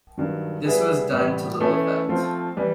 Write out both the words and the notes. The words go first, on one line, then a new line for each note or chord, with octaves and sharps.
This was done to little effect.
G2 D#3 F#3
G3 B3 E4 G#4 B4
A2 E3 G3 B3
E3 A3 C#4 E4 A4
F3 A3 C4 F4
E3 G3